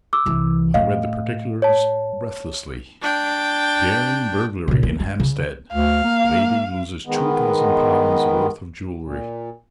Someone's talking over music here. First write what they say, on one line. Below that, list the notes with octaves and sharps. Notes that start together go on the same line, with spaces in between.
I read the particulars breathlessly: DARING BURGLARY IN HAMPSTEAD--LADY LOSES TWO THOUSAND POUNDS' WORTH OF JEWELRY.
D6 E6
C2 E3
A2 D#5 F5
C#5 A5
D4 G5
A#2 C#3
A#3
G#3
C#3
D2 F5
A#3
D#3 G#3 B3
A#2